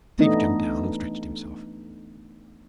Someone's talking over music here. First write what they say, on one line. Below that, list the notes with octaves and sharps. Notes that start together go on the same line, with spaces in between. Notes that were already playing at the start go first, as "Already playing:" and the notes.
Steve jumped down and stretched himself.
E3 A3 B3 D4 D#4 D#5